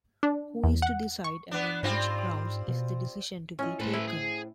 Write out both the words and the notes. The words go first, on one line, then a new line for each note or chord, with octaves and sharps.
Who is to decide, and on which grounds is the decision to be taken?
D4
E2
F#5
C#6
B3 D4
G#2 G3 C4 F4
B2
C#4 E4 F4 D#5
A2 A4 B4 C5
E4
G#4